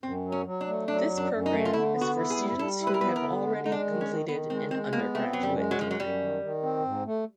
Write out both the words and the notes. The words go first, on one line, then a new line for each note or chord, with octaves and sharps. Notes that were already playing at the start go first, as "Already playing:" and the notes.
This program is for students who have already completed an undergraduate degree.
F#2 C4
F#3
C#4
F#3
D4
A3
F#3 D4
F#2
D4
F#2
D#4
A3
F4
D3 E4
B3
F#4
E4
G#4
G3
G3 A4
E4
B4
A#4
B3 B4
A#4
D3
G#3
G#3 D#4
D4
D#3
C#4
D#3
D#3 B3
G#3 C4
G#3 C4
A#3 B3
A3 C4
F#2 F#3
G3
G#3
F#3
F#2 F3
F#3
F#2 G3
D#3
D#3
C4
G#2
A3